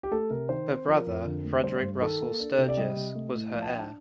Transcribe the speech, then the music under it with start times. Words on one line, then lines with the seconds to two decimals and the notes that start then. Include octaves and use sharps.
Her brother Frederick Russell Sturgis was her heir.
0.03 G4
0.11 A3 A4
0.30 C3 A#4
0.49 D#3 C5
0.68 C4
0.87 F3 A#4
1.07 F2
1.25 D3
1.44 A3
1.63 G3 C5
1.76 C5
1.82 G2
2.02 D#3 A4
2.21 A#3
2.39 D4
2.58 C3
2.68 D5
2.77 G3 D#5
2.96 C3
3.15 A3
3.35 A2
3.54 F3 F5
3.62 A5
3.66 G5
3.73 D4
3.79 A5